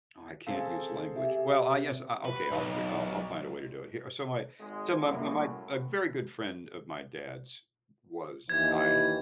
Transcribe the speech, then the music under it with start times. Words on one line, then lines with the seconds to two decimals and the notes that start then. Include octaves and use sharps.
oh, I can't use language. Well, I guess, uh, okay. I'll f I'll find a way to do it here. So my so my my a very good friend of my dad's was dying.
0.47 C4 G#4 A4 F5
1.16 C3 E5
2.25 B4
2.51 B1
4.60 G#1 G#3
5.07 F#2 A2 G3 A#3
8.49 D#2 E3 G#6